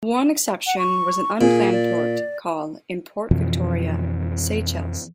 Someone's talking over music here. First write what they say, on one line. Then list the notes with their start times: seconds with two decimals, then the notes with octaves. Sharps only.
The one exception was an unplanned port call in Port Victoria, Seychelles.
0.66 F#5
0.78 C#6
1.41 A#2 G#4
1.72 D5
3.31 F2 B2 E3 F3